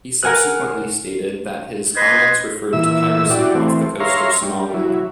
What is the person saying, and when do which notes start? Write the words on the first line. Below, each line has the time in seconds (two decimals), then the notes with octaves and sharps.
He subsequently stated that his comments referred to piracy off the coast of Somalia.
0.23 A#4 F#5 G#5 F6 F#6
1.96 B4 C5 D#5 G#6
2.73 A#2 E3 E5 E6
3.30 E4 F#4 G4 D5
3.55 E3 A3 C4
4.00 C#5 E5 F5 A#5 C6
4.42 G3
4.74 F#3 E4